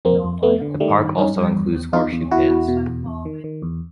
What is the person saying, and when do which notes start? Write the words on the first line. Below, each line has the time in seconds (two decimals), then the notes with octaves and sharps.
The park also includes horseshoe pits.
0.05 F2 A#3 C4
0.24 F2
0.42 F2 A3 B3
0.62 D3
0.80 D#3 G3 A3
0.99 G2
1.18 G2 C#4 D#4
1.36 G2
1.55 E2
1.75 E2
1.93 E2 D#4 F4
2.13 E2
2.31 E2 E4 F#4
2.50 E2
2.68 B2
2.88 E2
3.06 E2
3.25 D#3
3.44 D#3
3.62 E2